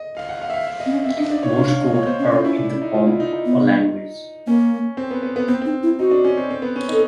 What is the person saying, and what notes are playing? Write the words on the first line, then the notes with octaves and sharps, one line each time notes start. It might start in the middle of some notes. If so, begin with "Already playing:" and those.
Morse Code or in the form of a language.
Already playing: D#5
F5
F#5
F5
E5
F5
E5
D#5
C4
C#4
C4 E5
D4 D#5
D4 D5
D#4 C#5
D4 F5
D4 F5
D4 D#5
B3 C#5
B3 C5
C#4
C#4 F4
C#4 E4
D4
E4
D#4
F4
E4
D#4
D#4
B3
A#3 C#4
C4
B3
B3
B3
B3 C4
C4
D#4
E4
D#4 F#4
D4
C#4
C4
C4
B3
C#4
D#4 A4